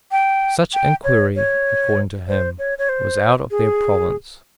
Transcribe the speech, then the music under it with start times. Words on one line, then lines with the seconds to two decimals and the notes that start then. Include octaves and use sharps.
Such inquiry, according to him, was out of their province.
0.12 G5
0.74 G5
1.04 C#5
1.36 C#5
2.28 C5
2.59 C#5
2.78 C#5
2.89 C5
3.51 G#4